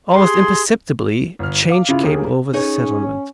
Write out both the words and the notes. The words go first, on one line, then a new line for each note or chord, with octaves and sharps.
Almost imperceptibly a change came over the settlement.
G4 G#4 C6
G1 F6
F5 D6
C#3 E4 F4
D#2 A#3 G4 G#4
C#4 D#4 G#4 C#5